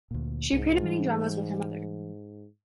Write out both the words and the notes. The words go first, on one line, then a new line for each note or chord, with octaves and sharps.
She appeared in many dramas with her mother.
D2 A#2
C2 G#2
E3 G3